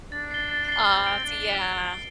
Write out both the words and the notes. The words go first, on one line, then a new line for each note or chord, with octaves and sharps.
Ah, see, yeah.
D4 A6
C7 G7
A6
C7 G7
C4 A6
D7 G7
D4 A6
D7 G7
A6
D7 G7